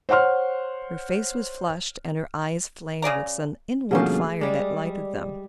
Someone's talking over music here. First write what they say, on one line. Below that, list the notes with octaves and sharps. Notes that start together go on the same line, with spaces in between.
Her face was flushed and her eyes flamed with some inward fire that lighted them.
C5 C#5 F#5 C6 F6
C#3 G#4 D5 A#5
B2 D3 F3 G3 A3 A#3 C#4 G#4
G3 G#3 D5